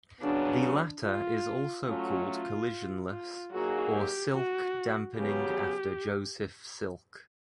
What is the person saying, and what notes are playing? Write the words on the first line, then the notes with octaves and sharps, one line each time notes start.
The latter is also called collisionless or "Silk" damping after Joseph Silk.
C#3 F#3 B3 D4
F4
F#3 A3 C#4 F4
F4
F4
F#3 A#3 D#4 F#4 G#4
G4
F#4
C#3 F#3 B3 G4